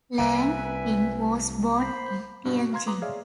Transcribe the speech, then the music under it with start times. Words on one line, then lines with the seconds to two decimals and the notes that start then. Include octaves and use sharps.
Lang Ping was born in Tianjin.
0.19 C2 C3 B4 E5 G#5
1.81 C5 B5
2.45 G2 B2
2.58 F#4
2.73 F5 A#5 C6 G#6
2.87 B4 A#5 C6 D6 D#6
3.02 G#4 C#5 D5 E5 F5